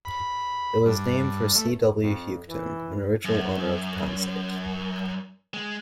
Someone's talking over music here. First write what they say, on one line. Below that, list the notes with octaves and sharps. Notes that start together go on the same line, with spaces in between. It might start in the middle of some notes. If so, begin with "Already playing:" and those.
It was named for C. W. Houghton, an original owner of the town site.
B5
G2
A3
F2
E3
F#2
G#3